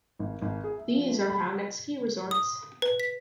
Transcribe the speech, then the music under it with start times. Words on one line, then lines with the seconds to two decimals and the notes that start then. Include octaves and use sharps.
These are found at ski resorts.
0.19 G#1
0.42 G#1
0.64 G#4
0.78 E5
0.94 F3
1.10 A3
1.30 B5
2.31 D#6
2.82 B4
3.00 B6